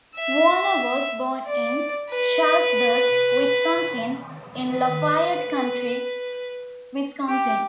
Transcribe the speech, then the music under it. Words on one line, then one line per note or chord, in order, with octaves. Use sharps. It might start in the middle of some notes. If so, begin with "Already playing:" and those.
Warner was born in Shullsburg, Wisconsin, in Lafayette County, Wisconsin.
E5
D5
B4
B4
G4